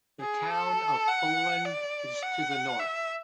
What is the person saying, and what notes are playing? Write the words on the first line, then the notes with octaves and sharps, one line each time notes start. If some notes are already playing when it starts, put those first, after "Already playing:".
The town of Poland is to the north.
G#4
A4
F#5
D5
F#5
E5